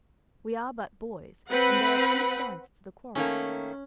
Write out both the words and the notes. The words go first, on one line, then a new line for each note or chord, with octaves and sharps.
We are but boys, and there are two sides to the quarrel.
C4 B4 F#5 B5
D#3 A3 A#3 C#4